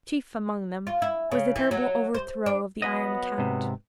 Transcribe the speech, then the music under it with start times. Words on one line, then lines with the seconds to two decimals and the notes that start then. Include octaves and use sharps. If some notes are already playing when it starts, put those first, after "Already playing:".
Chief among them was the terrible overthrow of the Iron Count.
0.87 F4
1.02 E4
1.32 C#3
1.56 E3
1.71 F#3
2.14 C5
2.46 D4
2.82 F#3 B3 B4 D#5
3.38 G#2 C3